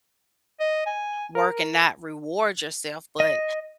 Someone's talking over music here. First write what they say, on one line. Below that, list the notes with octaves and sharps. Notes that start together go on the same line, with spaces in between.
work and not reward yourself, but
D#5
G#5
A#4
D#5